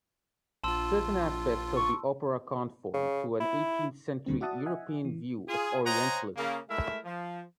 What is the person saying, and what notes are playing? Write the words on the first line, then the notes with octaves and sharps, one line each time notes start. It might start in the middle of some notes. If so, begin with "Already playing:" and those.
Certain aspects of the opera conform to an eighteenth-century European view of orientalism.
A#1 F4 A5 C6 E6
C#6
C#3
E4
D2 A#2 D3 G3 C4
F#4 D5 E5 F#5 A5 D#6
D#5 E5 F#5 G#5
E3
F4 G#4
C5 C#5 D#5 F#5 G#5 A#5
C#3 A#3
G#3 A3 E4 A#4 E5
F3